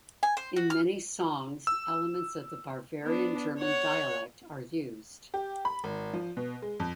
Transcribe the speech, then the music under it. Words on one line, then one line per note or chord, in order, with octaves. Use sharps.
In many songs elements of the Bavarian German Dialect are used.
G#5
C5
F#4
F6
E6
B3 D4
C#5 F#5
G4
B5
G#1
F3
B2
G#3
F2